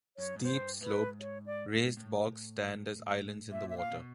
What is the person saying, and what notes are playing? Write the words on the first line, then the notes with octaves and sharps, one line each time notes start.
Steep-sloped, raised bogs stand as islands in the water.
F#2 C#5
G#2
G2 C5
G#2 B4
C#5
D5
A2
A#2 E5
E5
F5
B2